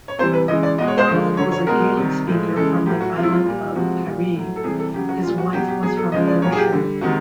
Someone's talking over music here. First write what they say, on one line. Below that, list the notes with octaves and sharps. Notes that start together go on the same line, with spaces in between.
Donald was a Gaelic-speaker from the island of Tiree; his wife was from Ayrshire.
C#5
C3 E3 G3 C5
B4
C#3 E3 G#3 D#5
D5
B2 G#3 D#5
C#5
C5
D3 F3 G#3
D3 F#3 C#5
C#5
B2 G#3 A#4
C3 D#3 G3
A2 F3 G#3
C#3 E3 G#3 A4
A2 F#3 G4
F#4
C3 F3 G#3 F4
E4
F4
A#2 G3
C3 F3 G#3 F#4
A#2 G3
A2 F#3
A4
C3 E3 G3 G#4
A4
C#3 F#3 G4
F#4
A#2 G3 F4
F#4
B2 F#3 G4
G4
B2 F#3 G#4
A4
C#3 F3 G#3 D#5
D5
A#2 F#3 C#5
G#4
G4
D3 G3
C3 D#3 G#3 F#4